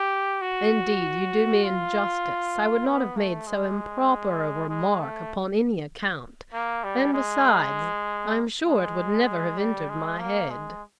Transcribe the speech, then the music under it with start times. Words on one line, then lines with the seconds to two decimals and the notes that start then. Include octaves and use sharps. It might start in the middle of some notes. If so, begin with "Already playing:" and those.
"Indeed you do me injustice; I would not have made so improper a remark upon any account; and besides, I am sure it would never have entered my head."
Already playing: G4
0.41 F#4
1.64 F4
2.87 B3
3.17 A3
3.47 G#3
4.69 G#3
5.01 A3
6.53 A#3
6.84 G3
7.14 G#3
8.67 G#3
9.58 G3
9.89 G#3
10.19 A#3
10.50 G#3